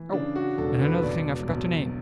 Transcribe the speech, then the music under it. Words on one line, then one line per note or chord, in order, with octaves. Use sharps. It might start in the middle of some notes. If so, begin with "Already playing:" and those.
Oh! and another thing I forgot to name!
Already playing: E3
C#3 D4
F#4
E1 A4
B4
B1 D5
B1